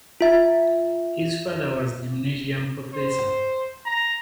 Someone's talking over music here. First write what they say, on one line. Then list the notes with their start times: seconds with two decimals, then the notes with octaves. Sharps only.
His father was Gymnasium professor.
0.21 F4 E5
2.93 C5
3.86 A#5